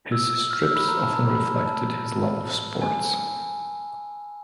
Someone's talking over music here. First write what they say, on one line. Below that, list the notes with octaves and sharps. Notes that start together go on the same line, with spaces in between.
His strips often reflected his love of sports.
E6
F6
E6
B5
A#5
A5
A#5
B5
A5
G#5